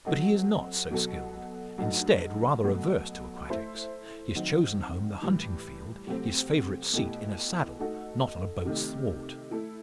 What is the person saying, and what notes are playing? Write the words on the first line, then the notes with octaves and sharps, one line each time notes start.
But he is not so skilled--instead, rather averse to aquatics--his chosen home the hunting field, his favourite seat in a saddle, not on a boat's thwart.
F#3 C4 F#4 A4 D#5
B2 F#3 B3 F#4 A4
G2 F#3 A3 D#4 F#4
B2 F#3 A3
A3 E4 A4 C5 E5
D#3 F#3 C4
A2 E3 G3
C3 F#3 A3 C4
B2 A3 E4 G4
A3 D#4 F#4 A4 D#5
C3 D#3 A3
A3 E4 A4